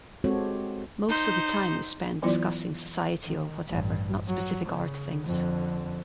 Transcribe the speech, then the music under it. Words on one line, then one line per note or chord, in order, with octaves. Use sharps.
Most of the time we spent discussing society or whatever, not specific art things.
G#3 C4 F#4 G4 A4 C#5
D#4 C5
E3 F#3 B3 E4 F4 D5
D#3
A1 G2
F#3
C#3
F2 D3